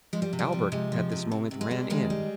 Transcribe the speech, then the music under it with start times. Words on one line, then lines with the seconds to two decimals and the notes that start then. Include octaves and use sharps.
Albert at this moment ran in.
0.13 F3 G#3
0.22 G3
0.33 C3
0.39 G3
0.52 F3
0.72 C3 G#3
0.92 F3
1.12 C3
1.31 C3
1.51 C3
1.61 G#3
1.71 G3
1.90 D#3 G#3
2.10 G3